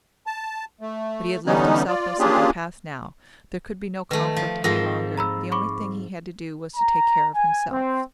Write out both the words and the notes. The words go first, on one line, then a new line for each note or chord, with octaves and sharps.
But he had left himself no second path now: there could be no conflict any longer: the only thing he had to do was to take care of himself.
A5
A3
D3 E3 G3 B3 C#4 D#4
F4 D5
A#3 C#4 D4 F4 G4 G#4
D#3 A3 B4 A5
F3
G#2 F3 C4 F4 A#4 A#6
A#5 B5 E6
B5 C#6 D6
A#5
G#5
C4